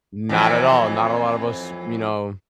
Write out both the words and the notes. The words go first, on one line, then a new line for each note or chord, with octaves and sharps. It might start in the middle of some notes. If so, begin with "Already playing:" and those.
Not at all. Not a lot of us, you know,
F2 E3 F#3